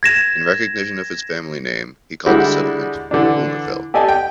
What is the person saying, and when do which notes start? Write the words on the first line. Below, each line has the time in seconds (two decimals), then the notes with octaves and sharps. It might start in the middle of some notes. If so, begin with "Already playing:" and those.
In recognition of his family name, he called the settlement "Homerville".
0.03 G#6 A#6 E7
2.26 D3 G3 G#3 E4 F#4
3.11 D3 E3 D4
3.94 G4 A4 D5 D#5 G#5 A5
4.08 G5